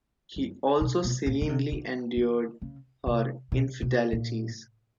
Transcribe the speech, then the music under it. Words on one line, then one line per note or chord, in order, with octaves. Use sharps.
He also serenely endured her infidelities.
F#2
B2
B2
A#2
C#3
C3
D3
D#3
C#3
C3
B2
B2
A#2